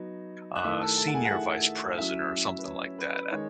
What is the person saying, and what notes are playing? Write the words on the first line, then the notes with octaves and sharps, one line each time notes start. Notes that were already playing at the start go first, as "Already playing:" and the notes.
uh, senior vice president or something like that,
Already playing: F#3 B3 D#4
F#6
D#3 A3 E4 E5 E6
A4 A5
A4 A5
F#5
G#4 G#5
F#5
E4 E5
F#3 C#4 E4 E5
B4
C#5
B4
B4
D#3 G#3 D#4 C#5